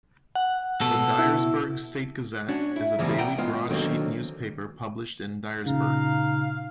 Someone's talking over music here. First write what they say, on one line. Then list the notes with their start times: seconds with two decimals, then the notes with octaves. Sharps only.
The "Dyersburg State Gazette" is a daily broadsheet newspaper published in Dyersburg.
0.35 F#5
0.81 B2 A4
1.19 E4
2.49 C#4 D4 F#4
2.76 E4
2.99 A#2 C#3 E3 F3 G3 B3
3.18 D5 F#5 G5 A#5
3.38 G#3 B3 F4
3.69 D3 D#3 F#3 A#3 C4
5.66 A#2 C#3 D#4 F5